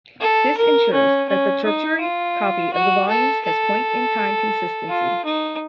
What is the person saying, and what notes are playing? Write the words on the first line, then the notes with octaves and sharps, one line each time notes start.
This ensures that the tertiary copy of the volumes has point-in-time consistency.
A4
A#4
C#4
C#4
D#4
F4
F#4
A4
A4
F4
D#4